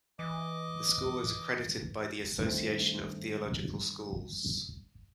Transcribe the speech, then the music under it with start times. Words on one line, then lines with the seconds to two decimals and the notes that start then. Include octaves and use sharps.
The school is accredited by the Association of Theological Schools.
0.19 E3 D#5 D6
2.39 G2 D#3 A3 C4